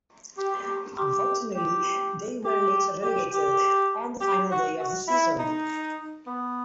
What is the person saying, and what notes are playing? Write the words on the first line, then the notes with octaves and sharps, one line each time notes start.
Unfortunately they were later relegated on the final day of the season.
G4
G4
G4
G4
G4
G4
G4
F#4
F#4
E4
D#4
B3